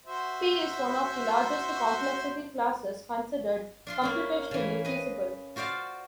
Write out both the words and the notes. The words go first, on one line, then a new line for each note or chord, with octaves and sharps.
P is one of the largest complexity classes considered "computationally feasible".
F#4 C5 E5
D4 F4 C6
A#3 C#4 D4
C#3 E3
B4 D#5
F4 F#4 C5 D5 F5